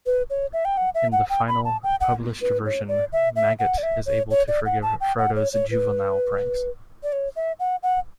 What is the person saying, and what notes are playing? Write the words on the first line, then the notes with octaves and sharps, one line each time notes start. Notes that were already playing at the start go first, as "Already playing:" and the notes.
In the final, published version, Maggot is able to forgive Frodo's juvenile pranks.
B4
C#5
E5
G5
F#5
E5
F#5
G5
B5
A5
G5
F#5
B4
C#5
D5
E5
E5
F#5
D5
E5
C#5
C#5
D5
F#5
A5
G5
F#5
C#5
C#5
B4
D5
C#5
E5
F#5
F#5